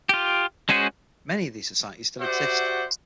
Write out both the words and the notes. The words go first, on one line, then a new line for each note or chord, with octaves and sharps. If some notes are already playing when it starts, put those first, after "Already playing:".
Many of these societies still exist.
F4 G4
G#3 C#4 F#4 G#4 C5
F#4 G4 C5 D5 E5 F#5